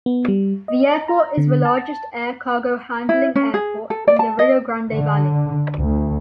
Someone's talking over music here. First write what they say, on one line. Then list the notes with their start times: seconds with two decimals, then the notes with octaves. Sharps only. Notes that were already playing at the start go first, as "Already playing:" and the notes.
The airport is the largest air cargo handling airport in the Rio Grande Valley.
0.06 B3
0.28 G3
0.68 D#5
1.08 A#5
1.37 D3
1.65 A5
3.09 E4
3.36 C#4
3.54 G#4
3.90 A4
4.08 D5
4.19 A5
4.39 D#5
4.91 D3
5.77 D2